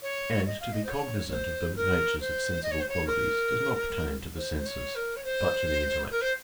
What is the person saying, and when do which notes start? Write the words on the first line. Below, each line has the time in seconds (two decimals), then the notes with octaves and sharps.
And to be cognizant of the natures of sensible qualities does not pertain to the senses, but to the intellect.
0.02 C#5
0.46 D#5
0.60 F5
0.72 D#5
0.84 C5
0.90 C#5
1.29 C#5
1.33 C5
1.76 A#4
2.20 C5
2.63 D#5
2.71 C#5
2.80 C5
2.89 C#5
3.07 A#4
4.37 C5
4.58 C5
4.66 C#5
4.95 A#4
5.16 C#5
5.24 C5
6.11 A#4
6.21 C5